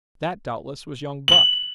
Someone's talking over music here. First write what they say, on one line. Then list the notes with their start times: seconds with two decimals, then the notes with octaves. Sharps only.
That, doubtless, was young Buck.
1.28 F#7